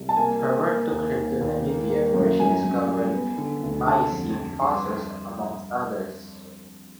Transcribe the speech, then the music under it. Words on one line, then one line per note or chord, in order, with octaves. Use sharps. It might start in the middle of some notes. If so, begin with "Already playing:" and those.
Her work took her to Namibia where she discovered Miocene fossils amongst others.
Already playing: C2
A5
A#3 G#5
A#3
A#3
D#2
D#2
D#2
A#3
A#3
F#2
F#2 G#5
F#2
G3
B3
D3
D2
D3 A5
F2
F2
G2 C6